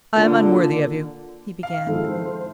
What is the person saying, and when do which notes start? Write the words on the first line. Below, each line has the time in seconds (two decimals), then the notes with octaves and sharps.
"I am unworthy of you," he began.
0.15 A#2 D3
1.63 F5
1.87 D#3 F3 G#3 C4 E4 A4
2.07 C5